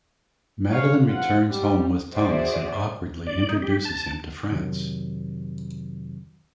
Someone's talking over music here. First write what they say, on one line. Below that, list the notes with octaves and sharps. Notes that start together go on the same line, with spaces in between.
Madeleine returns home with Thomas and awkwardly introduces him to Franz.
C3 G#4 C#5 F5
A1 F2 F4 F#5
G3
F#4 G#4 C5 D5 E5
D5
D#4
G4
A5
F2 C3 D#3 F#3